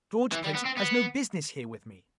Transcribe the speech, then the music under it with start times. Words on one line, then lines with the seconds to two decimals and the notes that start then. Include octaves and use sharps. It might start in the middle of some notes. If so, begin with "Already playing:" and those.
George Prince has no business here with me!
0.32 E3
0.44 G3
0.55 B3
0.66 C4
0.78 B3